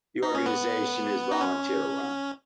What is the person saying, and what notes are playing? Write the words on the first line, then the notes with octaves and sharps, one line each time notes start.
The organization is volunteer-run.
D#4
C#4
B3
D#4
C#4